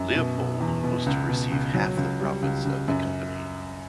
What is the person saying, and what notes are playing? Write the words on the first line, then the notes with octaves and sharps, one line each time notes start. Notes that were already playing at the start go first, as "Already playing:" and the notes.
Leopold was to receive half the profits of the company.
Already playing: F#2
B2
B2
E2
B2
C#2
B2
C#2
F#3
C#2
G3
C#2
C#2
F#2